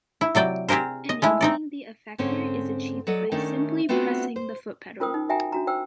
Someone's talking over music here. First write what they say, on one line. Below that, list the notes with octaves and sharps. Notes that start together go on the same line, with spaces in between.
Enabling the effector is achieved by simply pressing the foot pedal.
E4
C3 F#3 D5 G5
C4 G4 G#4 A#4 C5
D#5
G#3 A3 E4
C4 D#4 D5
G#2 D3 C4 C#4 C#5
F#3 A4 D5 D#5
D#3 A3 C#4 D4
A3 B3 C4 D4 F4 F#4
C5
C#4 F4 A#4 C5 G5 D#6
D#4
F#4 E5 G5 G#5 A#5
D4 F#4 A#5
C5 G5 E6